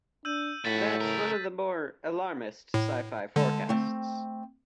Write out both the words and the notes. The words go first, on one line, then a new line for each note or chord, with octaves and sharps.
That's one of the more alarmist sci-fi forecasts.
D4 E6 G6 D#7
A2 E4 F#4 A6 B6
C#3 A#4
A2
D3 G#3 A5
A3 C4